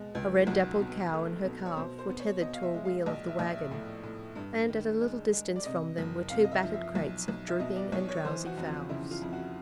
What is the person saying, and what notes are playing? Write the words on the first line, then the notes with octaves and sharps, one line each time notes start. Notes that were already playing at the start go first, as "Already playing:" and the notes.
A red-dappled cow and her calf were tethered to a wheel of the wagon, and at a little distance from them were two battered crates of drooping and drowsy fowls.
Already playing: B2 G#3
C#2
F4
B1 F#4
B2
A3
B2
C#5
B2 C5
C5
B3
C#5
B2 D#5
F5
E5
G#3
F5
A#1 D#5
E5
A#1
E5
A2
A2
G2
D#3
G#3
G#3
D5
C3 D#5
F#1
C3 F5
D#5
E5
F3
E5
B1
B1
E5
B2 D#5
D5
B1 C#5
C#5
E3 C5
F#4
F2 F#4
F4
C#3 E4
F4
F2
F#4